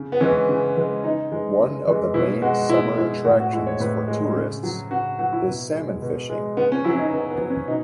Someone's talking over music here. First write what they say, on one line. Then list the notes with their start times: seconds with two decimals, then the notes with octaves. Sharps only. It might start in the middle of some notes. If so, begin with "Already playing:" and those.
One of the main summer attractions for tourists is salmon fishing.
Already playing: C#3
0.12 B3
0.20 E3 G#3 C#4
0.49 C#3
0.77 E3 G#3
1.04 C#3 D#4
1.32 E3 G#3
1.59 C#3
1.87 E3 G#3
2.14 B2 E4
2.42 G#3 F#4
2.69 B2 E4
2.97 G#3 E4
3.25 A2 F#4
3.40 F#4
3.53 G#3 E4
3.67 C#5
3.80 A2 B4
4.08 G#3
4.36 C#3
4.63 F#3
4.91 C#3 F#4
5.19 F#3 F#4
5.33 E4
5.46 B2
5.74 G#3
6.02 B2
6.30 G#3
6.57 C#3 B3
6.72 C#4
6.84 F#3 E4
6.94 C#4
6.98 D#4
7.13 C#3 B3
7.31 B3
7.40 F#3
7.50 C#4
7.68 B2 D#4